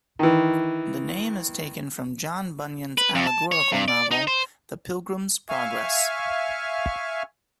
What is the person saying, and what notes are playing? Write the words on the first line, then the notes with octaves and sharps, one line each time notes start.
The name is taken from John Bunyan's allegorical novel "The Pilgrim's Progress".
D#3 E3
B4
F2
A5
C#5
G2
D5
D#4
C5
E5 F5 G#5 C#6 F6